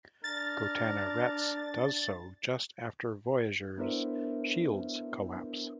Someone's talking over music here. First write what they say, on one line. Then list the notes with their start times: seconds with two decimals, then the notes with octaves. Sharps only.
Gotana-Retz does so just after "Voyager's" shields collapse.
0.24 D4 A#4 A6
3.78 B3 D4 E4 A#4 C5 E5